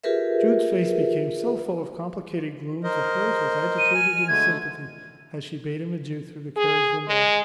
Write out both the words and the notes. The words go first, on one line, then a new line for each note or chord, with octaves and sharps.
Jude's face became so full of complicated glooms that hers was agitated in sympathy as she bade him adieu through the carriage window.
F4 G4 G#4 A#4 B4 E5
A#4 C5 D#5
D#7
G#5 F6
D3 G#3 A3 G#6
G#4
G#3